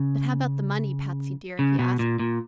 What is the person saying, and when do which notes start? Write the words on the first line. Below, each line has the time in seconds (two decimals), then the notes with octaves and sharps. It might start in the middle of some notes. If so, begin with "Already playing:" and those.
"But how about the money, Patsy dear?" he asked.
Already playing: C#3
1.59 C#3
1.79 B2
1.99 A#2
2.19 A#2